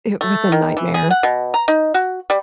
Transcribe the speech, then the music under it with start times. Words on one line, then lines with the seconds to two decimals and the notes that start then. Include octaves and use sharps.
it was a nightmare.
0.21 A3
0.52 D#3
0.77 E3
0.94 G#4
1.11 F#5
1.23 B2
1.54 A#5
1.68 D#4
1.94 F#4
2.30 G3